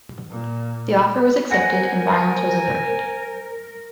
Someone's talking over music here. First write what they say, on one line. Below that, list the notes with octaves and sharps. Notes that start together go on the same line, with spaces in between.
The offer was accepted, and violence was averted.
A#2
A#4 C5 F#5 G#5 A#6 C#7